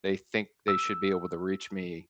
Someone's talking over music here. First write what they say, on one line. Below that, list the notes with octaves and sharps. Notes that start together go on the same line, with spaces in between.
they think they should be able to reach me
E6